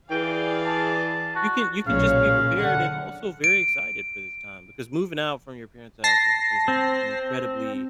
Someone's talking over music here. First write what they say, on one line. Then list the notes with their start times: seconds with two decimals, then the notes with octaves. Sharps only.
you can you can just be prepared and also very excited for this time because moving out from your parent's house is is, uh, an incredibly,
0.11 E3 G#4 D5 F5 G5
0.66 A5
1.36 F#4
1.87 B1 A#2 C#3 C#5 F5
2.59 D3 F#5
3.44 D7
6.04 A5 A#6 C7
6.68 C4